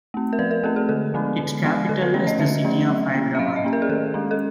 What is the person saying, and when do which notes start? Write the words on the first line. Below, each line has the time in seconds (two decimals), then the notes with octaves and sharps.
Its capital is the city of Hyderabad.
0.14 A3 C4
0.33 A#4
0.39 F3 B4
0.51 A#4
0.63 A3 C4 A4
0.76 G#4
0.89 D3 A4
1.14 F3 G#3 B3 D4
1.39 D3
1.64 F3 G#3 B3 D4
1.89 D3 A4
2.01 B4
2.14 F3 A3 C#4 C#5
2.27 D#5
2.39 D3 E5
2.64 F3 A3 C#4
2.89 F#3
3.14 A#3 C#4
3.35 E5
3.39 F#3 F5
3.56 D#5
3.64 A#3 C#4
3.73 A#4
3.82 G#4
3.89 D#3 A4
4.14 G#3 C#4
4.31 A4